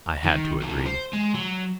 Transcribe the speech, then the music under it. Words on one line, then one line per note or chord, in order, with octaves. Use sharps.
I had to agree.
D#3
C2 F#3
C5
G#3
F#3